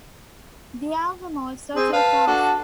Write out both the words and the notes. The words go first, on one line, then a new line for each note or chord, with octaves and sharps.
The album also took off.
C4 G#4
B4 F5 A5
D4 F#4 A4